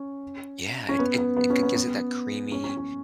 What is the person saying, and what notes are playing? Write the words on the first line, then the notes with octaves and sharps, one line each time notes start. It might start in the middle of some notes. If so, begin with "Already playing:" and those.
Yeah, it it it it gives it that creamy,
Already playing: C#4
C#4
B3
B3
B3
C#4
B3
B3
C#4
C#4
C#4